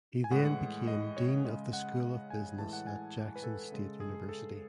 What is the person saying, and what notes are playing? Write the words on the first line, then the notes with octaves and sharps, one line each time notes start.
He then became dean of the school of business at Jackson State University.
G#5
A2 E3 G#3 F#5
F#5
D#5
C#5
C#3 G#3 D#5
F#5
G#5
A2 E3 G#3 A5
F#5
G#5
B4
A4
C#3 G#3
G#4
G#4
A4